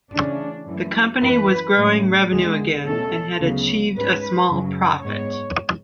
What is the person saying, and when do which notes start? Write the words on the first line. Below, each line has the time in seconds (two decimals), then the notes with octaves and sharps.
The company was growing revenue again and had achieved a small profit.
0.13 C#3 E3 A3 C#4 D4
0.68 F#2 E3 A3
1.22 F#2 E3 A3 B4
1.76 A2 F#3 A3 C#4
2.31 E2 D3 G#3 G#4
2.85 B2 A3 C#4 A4
3.40 D2 C#3 F#3 B3
3.94 G#2 G#3 C#4 B4
4.49 F#2 C#3 F#3
5.03 G#2 G#3 B3 C#5